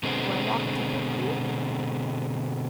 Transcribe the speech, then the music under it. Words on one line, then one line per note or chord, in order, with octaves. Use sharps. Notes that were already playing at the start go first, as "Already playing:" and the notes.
'Do I walk too quick for you?'
B2 D3 G#3 B3 C4